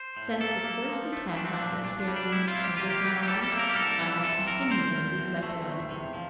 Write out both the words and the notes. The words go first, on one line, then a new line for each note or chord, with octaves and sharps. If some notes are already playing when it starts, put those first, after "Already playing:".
Since the first attack I experienced of this malady, I have continually reflected on it.
Already playing: C5
A2
A#3 A4
A#3
F3
A3
A3 D4
C4
D4
A#2
C2 D4
D4
G3
D4
C2 E4
F4
C2
G4
A#3 F4
G4
E3
G4
G3 A4
A4
A#3
A#4
G4
C2 A4
E3
C3 A4
C2 A#4
E2 C5
E2
E2
A3
E2
C3
F3